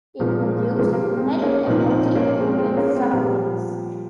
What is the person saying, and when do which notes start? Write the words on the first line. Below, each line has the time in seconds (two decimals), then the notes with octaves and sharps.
It gives net energy to its surroundings.
0.19 A#2 F3 G#3
0.27 A#3
0.35 G#3
0.42 A#3
0.49 G#3
0.57 A#3
0.64 G#3
0.71 A#3
0.79 F3 G#3
0.93 G3 A#3
1.17 G#3 C4
1.42 A#3 C#4
1.66 A#2 F3 C4 D#4
1.90 C4 D#4
2.15 A#3 C#4
2.40 G#3 C4
2.58 G#3 C4
2.77 A#3 C#4
2.96 G#3 C4
3.13 A#2 F3 G3